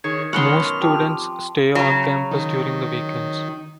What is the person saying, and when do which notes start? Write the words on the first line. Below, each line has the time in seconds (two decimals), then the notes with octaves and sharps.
Most students stay on-campus during the weekends.
0.04 D#3 G#4 C#5
0.33 B2 D#3 F#3 C#4 F#5 C6 F6
0.81 F3 C4 G4
1.75 C#3 F#3
2.31 D#3